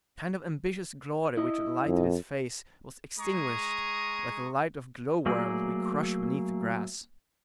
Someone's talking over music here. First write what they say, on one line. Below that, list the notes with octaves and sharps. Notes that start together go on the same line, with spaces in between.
A kind of ambitious glory which had lighted his face was extinguished, like the light of glow-worms we crush beneath the grass.
E4 D#5
F2
G#3 G#4 A#5 C#6 D#6
F#3 A3 A#3 G#4 D5